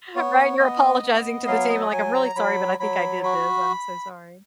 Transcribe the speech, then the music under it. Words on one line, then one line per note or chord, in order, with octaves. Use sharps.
that?" Right, and you're apologizing to the team, like, "I'm really sorry, but I think I did this. I'm so sorry."
B3 C#5
B3 D#5
B3
F#3 F5
D#5
F#3 G#5
A#5
F#3 B5
F#3 B5
F#4 B5